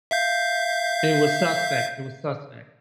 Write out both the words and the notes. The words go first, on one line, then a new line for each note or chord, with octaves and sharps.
It was suspect, it was suspect.
E5 F5 G6